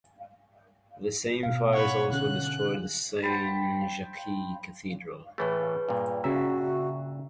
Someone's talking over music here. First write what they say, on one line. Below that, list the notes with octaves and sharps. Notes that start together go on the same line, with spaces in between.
The same fires also destroyed the Saint-Jacques Cathedral.
B2 F5
A4 C#5 F#5 B5
D3 C#4 G#4 F#6
C5 G5 A5 B5
A2 E3 A3 G#4 B4 C#5
G2 A#2
C#3 F#4 E5 A#5